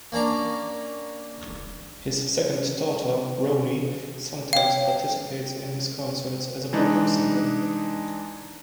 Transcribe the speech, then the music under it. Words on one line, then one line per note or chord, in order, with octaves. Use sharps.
His second daughter, Roni, sometimes participates in his concerts as a backup singer.
A#3 C#4 D4 A#5
C#5 F5 G5
E3 G#3 D4 D#4